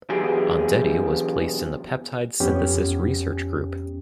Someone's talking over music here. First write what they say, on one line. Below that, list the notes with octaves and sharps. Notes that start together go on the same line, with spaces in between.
Ondetti was placed in the peptide synthesis research group.
B2 E3 F#3 B3 G4 G#4
F2 B3 C#4 G4